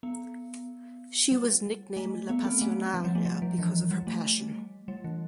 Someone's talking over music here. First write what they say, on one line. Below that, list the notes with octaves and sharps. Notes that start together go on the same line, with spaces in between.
She was nicknamed "la pasionaria" because of her passion.
B3
G3
A3
B3
C4
A3
F3
G3
A3
G3
F3
E3
G3
A3
G3
E3